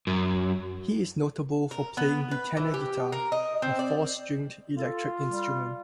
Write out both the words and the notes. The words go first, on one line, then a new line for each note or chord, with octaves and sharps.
He is notable for playing the tenor guitar, a four-stringed electric instrument.
F#2
A#4
B3
B4
E3
G4
A#4
D#5
C4
D5
F4 A4
G3